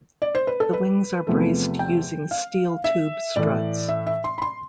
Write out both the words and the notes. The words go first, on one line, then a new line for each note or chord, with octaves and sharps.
The wings are braced using steel-tube struts.
D5
C5
B4
A4
B4
E2 C3 F3 A3
G5
F5
E5
A2 E3 A3 D5
E5
E5
C6
B5
C6